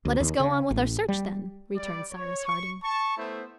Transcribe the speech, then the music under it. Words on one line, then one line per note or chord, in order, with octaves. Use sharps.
"Let us go on with our search, then," returned Cyrus Harding.
D2
D#2
C#3
A1
G3
G3 D5
C#5
C#6
A5 C#6
A3 B3 E4 C5